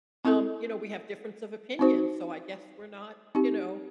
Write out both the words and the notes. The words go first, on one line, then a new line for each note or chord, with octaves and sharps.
um, you know, "We have difference of opinions, so I guess we're not" you know?
C4 E4 A4
C4 D#4 F#4 C5
C4 D#4 G4